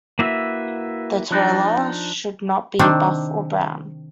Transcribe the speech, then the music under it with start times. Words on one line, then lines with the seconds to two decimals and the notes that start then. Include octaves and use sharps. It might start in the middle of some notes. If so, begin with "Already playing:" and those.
The Toller should not be buff or brown.
0.19 A#3 D4 E4 F#4 B4 E5
1.31 F3 D4 D#4
2.79 C3 D#3 C4 D4